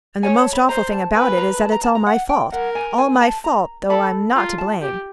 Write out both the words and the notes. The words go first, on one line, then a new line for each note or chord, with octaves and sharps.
And the most awful thing about it is that it's all my fault--all my fault, though I'm not to blame.
C#5 G#5
A5
B5
C5 A#5
A5
B4 G#5
A#5
A5
A#5
A5
A#5
F#5
G5
A#4 F#5
G#5
G#5
A5
A#5
A4 B5
F4 A#5
A5
G4